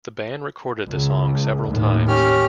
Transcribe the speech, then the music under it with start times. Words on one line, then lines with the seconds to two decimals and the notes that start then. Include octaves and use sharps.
The band recorded the song several times.
0.88 C#2
1.69 D#2 A2
2.08 C#4 G4 F6